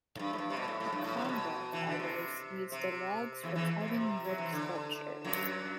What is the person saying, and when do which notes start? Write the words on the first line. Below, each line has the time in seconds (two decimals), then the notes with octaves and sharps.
"Akamba" carvers use the logs for carving wood sculptures.
0.16 A2
0.19 G2
0.33 A2
0.38 G2
0.50 C3
0.57 B2
0.68 A2
0.80 A2
0.92 G2
1.04 A2
1.17 C3
1.25 A2
1.29 B2
1.73 E3
1.87 D3
1.99 C3
2.72 C3
3.43 E2 E3
3.55 E2 E3
3.81 C3
3.88 B2
3.94 C3
4.25 F#3
4.38 E3
4.53 D3
5.25 F#2 F#3